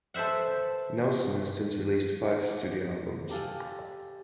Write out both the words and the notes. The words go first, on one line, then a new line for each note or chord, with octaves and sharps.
Nelson has since released five studio albums.
A4 B4 C5 E5 F#5
G4 A4 F5 G#5